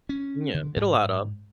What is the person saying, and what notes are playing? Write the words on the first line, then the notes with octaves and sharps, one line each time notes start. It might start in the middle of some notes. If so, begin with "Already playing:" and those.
Yeah, it'll add up.
C#4
D3
G#2